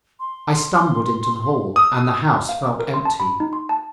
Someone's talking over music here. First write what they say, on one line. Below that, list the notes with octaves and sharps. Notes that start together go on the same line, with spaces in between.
I stumbled into the hall, and the house felt empty.
C6
D#6 E6
F5
D6
A#4
C6
A5
B5
D#4
C6
A5